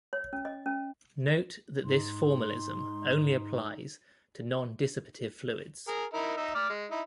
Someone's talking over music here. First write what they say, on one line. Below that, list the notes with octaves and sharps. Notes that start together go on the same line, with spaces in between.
Note that this formalism only applies to nondissipative fluids.
C#5
C#4
D#5
C#4
G#2 D#4 C6
G#4 A#4
D#4 E4 A#4
D#4 E5
D5 D6 F6
G#3
D#4 E4